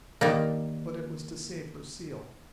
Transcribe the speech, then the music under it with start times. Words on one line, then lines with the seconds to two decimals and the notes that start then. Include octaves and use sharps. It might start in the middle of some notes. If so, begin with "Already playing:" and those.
But it was to save Lucille.
0.21 D#3 G3 A#3